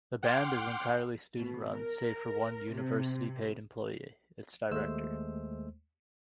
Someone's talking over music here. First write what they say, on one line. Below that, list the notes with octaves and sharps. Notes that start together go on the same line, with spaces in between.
The Band is entirely student-run, save for one University-paid employee, its Director.
F#5 G5 C6 D6 F6
B2
A#4
C3
D#2 G#3 A3 C5 E6